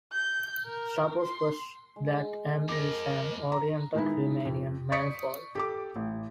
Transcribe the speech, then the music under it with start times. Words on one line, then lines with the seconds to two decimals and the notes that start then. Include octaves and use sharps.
Suppose first that "M" is an oriented Riemannian manifold.
0.13 G6
0.66 A#4
1.21 C6
1.96 G#3
2.69 F2 A#4 D6 A#6
3.52 A#5
3.95 D#3 G#3 B3 D#4 E4
4.45 F2
4.92 D5 C#6 D#6 B6 C#7 D7
5.55 G4 A4 D6
5.96 A1